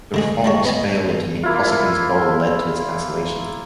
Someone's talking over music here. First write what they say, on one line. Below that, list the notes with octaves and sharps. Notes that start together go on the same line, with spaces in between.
The reform's failure to meet Kosygin's goal led to its cancellation.
D3 G#3 G#4
G3 G#3 C#5
B3 D#5 G#5
A#3 E4 F4